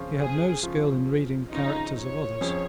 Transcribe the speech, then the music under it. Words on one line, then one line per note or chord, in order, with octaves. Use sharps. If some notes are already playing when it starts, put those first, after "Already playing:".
He had no skill in reading the characters of others.
Already playing: C#3 F3 C#4 F4
G#4
C#3 F3 C#4 F4
C#3 F3 C#4 D#4 F4
C#5
F2 F3 C#4 G#4